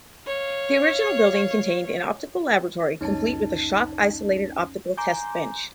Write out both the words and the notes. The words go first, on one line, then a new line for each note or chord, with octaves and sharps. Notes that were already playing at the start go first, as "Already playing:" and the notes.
The original building contained an optical laboratory complete with a shock-isolated optical test bench.
C#5 F5
C#2 F#2 C#4 D#4 A5
G#5 A#5 C6 D6 G6